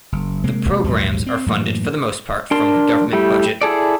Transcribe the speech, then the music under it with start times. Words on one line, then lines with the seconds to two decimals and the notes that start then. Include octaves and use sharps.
The programmes are funded for the most part from the government budget.
0.12 F#1
0.44 C3 G#3 A#3
0.84 A#1 D#2 G#2 F#3
1.27 C4
1.46 F#2 A2 E3 A#3
2.51 D4 A#4 C6
3.13 G3 A3 E4 G4
3.62 E4 G#4 A4 D5